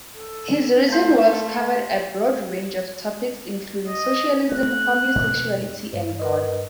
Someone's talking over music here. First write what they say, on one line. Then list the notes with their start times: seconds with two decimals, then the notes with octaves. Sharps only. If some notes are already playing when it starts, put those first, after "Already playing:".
His written works covered a broad range of topics, including socialism, homosexuality, and God.
0.14 A4
0.89 A3 C5 F5 A5
3.88 D#5
4.52 A3 F#6
5.15 F2 B2 B3
5.93 G2
6.20 A#4 B4 D#5